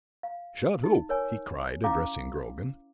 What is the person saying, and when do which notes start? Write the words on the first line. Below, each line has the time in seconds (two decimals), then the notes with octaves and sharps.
"Shut oop!" he cried, addressing Grogan.
0.23 F5
0.84 D#4
1.09 A#4 C#5 G#5
1.84 C#4 E4 F5 G5 D6